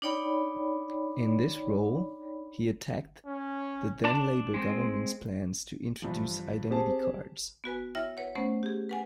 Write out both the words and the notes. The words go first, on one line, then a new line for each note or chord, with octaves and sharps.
In this role, he attacked the then Labour government's plans to introduce identity cards.
D4 D#4 C#5 D5 G5 B5
C#4
D4 A5
G#3 C4
G2 E3 F3
C4 G4 G#4 A5
B3 F#4 B4 G#5
E4 C#5 E5 G5 F6 A#6
B4 C#5 F#5
A3 B3 C#4 C5 F#5
G4 G#4
B4 F#5 G#5